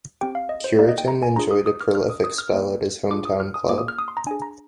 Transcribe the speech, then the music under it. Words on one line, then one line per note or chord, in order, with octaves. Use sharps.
Cureton enjoyed a prolific spell at his hometown club.
C4 G4 G5
F5
D#5
C5
A#3 D#4 G4 D5
D#5
G5
A#5
G#5
D4 F4 G#4 A#5
D#6
D#6
F6
D4 G4 F6
D#6
D#6
F6
A#3 D#4 G4
D4 F4 G#4 D6
D#6
F6
D#6
A#3 F4 G#4 D6
D#6
F6
D#6
C6
A#5
D4 G#4 G#5
A#5